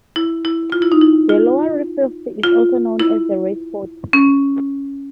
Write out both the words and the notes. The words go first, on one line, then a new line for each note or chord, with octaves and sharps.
The lowered fifth is also known as the raised fourth.
E4
E4
F4
E4
D#4
E4
F4
F4
E4
C#4